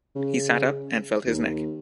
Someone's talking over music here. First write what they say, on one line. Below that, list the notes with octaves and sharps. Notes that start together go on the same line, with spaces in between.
He sat up and felt his neck.
C#3
D#2